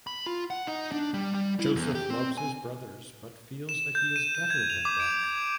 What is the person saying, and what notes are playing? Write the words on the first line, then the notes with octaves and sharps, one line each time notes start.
Joseph loves his brothers but feels that he is better than them.
B5
F4
F#5
D#4
D4
G3
G3
E4
E2
G4
C4
G#5
E7
G6
D#7
E7
G#6
F7
D6
D7
G#6